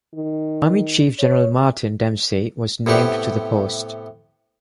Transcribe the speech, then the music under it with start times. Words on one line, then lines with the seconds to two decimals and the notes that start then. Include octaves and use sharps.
Army chief General Martin Dempsey was named to the post.
0.15 D#3
1.19 C#5
2.86 A2 C3 B3 G4